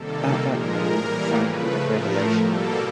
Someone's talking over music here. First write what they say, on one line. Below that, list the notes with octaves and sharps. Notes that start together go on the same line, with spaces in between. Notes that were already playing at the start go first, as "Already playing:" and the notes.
At that moment Fran had a revelation.
Already playing: C3 D#3 G3 A#3 A4
A#2 F3 G#3 A#4
A2 E3 G3 A#3
C#3 F3 A3 B4
A2 F3 A3 A#4
B2 G3 A#3 A4